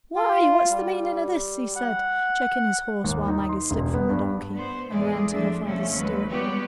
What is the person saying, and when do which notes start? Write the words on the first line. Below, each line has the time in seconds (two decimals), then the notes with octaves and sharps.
"Why, what's the meaning o' this?" he said, checking his horse, while Maggie slipped from the donkey and ran to her father's stirrup.
0.16 F4
0.70 G3
1.76 F#5
3.04 D#2
3.28 D#4
3.49 C6
3.71 E1
3.94 B3
4.09 G2
4.55 B3 C5
4.89 E2 A2 G#3 G#4 D5
5.31 F3 A3 D4
5.63 C3 F3 A3 C#4
5.93 D#2 F#3 G#3 B4
6.29 G3 G#3 B3 G4 B4 C#5